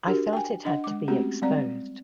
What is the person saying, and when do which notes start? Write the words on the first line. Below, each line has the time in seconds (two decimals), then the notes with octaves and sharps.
I felt it had to be exposed.
0.07 D4 F#4 G4 A#4
0.33 G5 G#5
0.65 D4 D#5 F#5
0.84 G#3 D6
1.08 G#3 A3 C4 C#4 F#4 G4
1.42 G3 G#3 C4 D5 A#5